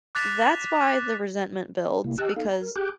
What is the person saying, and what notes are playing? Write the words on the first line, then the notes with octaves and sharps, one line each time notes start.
that's why the resentment builds because
D6 F#6 A6 B6 F7
C3 A#3 E4
G4 D#5 G5 A5 E6 F#6
B3 D#4 A4 F5
A#5
A#4
G4 G#4 G5 D6 F#6 G6